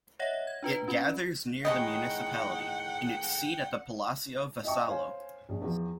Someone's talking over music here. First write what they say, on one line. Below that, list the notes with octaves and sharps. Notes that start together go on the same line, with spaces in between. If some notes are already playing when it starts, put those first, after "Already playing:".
It gathers near the Municipality, in its seat at the Palacio Vassallo.
C#5 D#5 E5 F#5 A#6
G#6
D4 F4 B4
C#4 F4 B5
A2 D#3 G#3 D#5 F#5 G5
D#5 E5 G5 A5 C#6
C5 C#5 F5 G#5
A#1
E2 F3